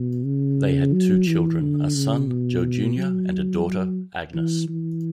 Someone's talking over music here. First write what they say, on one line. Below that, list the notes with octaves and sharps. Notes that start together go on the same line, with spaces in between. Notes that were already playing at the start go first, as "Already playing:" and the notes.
They had two children, a son, Joe Junior and a daughter, Agnes.
Already playing: B2
C#3
F#3
E3
D3
C#3
B2
F#3
F#3
E3
E3